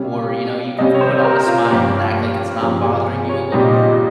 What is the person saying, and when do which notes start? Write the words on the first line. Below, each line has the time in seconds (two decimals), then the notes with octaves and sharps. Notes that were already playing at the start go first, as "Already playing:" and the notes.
or, you know, you can put on a smile and act like it's not bothering you a little more,
Already playing: C3 G3 C#4 F5
0.79 C3 G3 C#4 D#5
0.94 C#5
1.01 C5
1.24 A#4
1.47 F4
1.70 G2 F3 A#3 C#4 G4
2.61 G2 F3 A#3 C#4 G#4
2.83 G#4
3.29 C#5
3.52 A#2 G3 C4 D#4 D#5